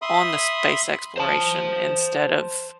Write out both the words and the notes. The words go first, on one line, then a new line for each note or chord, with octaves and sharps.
on the space exploration instead of
E5 B5 C6 D#6
C5 A5